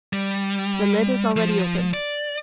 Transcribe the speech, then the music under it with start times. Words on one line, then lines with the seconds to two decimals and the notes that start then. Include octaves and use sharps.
The lid is already open.
0.13 G3
1.37 F3
1.94 D5